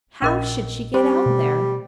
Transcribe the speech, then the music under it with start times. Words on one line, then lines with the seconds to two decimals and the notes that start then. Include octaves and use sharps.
How should she get out there?
0.22 A#1 C#4 A#4 D#5
0.94 G3 C4 C5
1.26 B2 A3